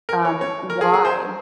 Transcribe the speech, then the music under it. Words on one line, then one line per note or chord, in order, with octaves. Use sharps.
um, "Why?"
A#4
C#5
C#5
A#4
G#4
G#4
C5